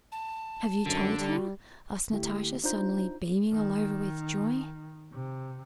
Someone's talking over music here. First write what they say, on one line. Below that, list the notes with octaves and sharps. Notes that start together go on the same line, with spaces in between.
"Have you told her?" asked Natasha, suddenly beaming all over with joy.
A5
F#2 D3
G3
D3 A3 E4 G4
D4 D#4 F4 C5 A#5 G6
D#3
C3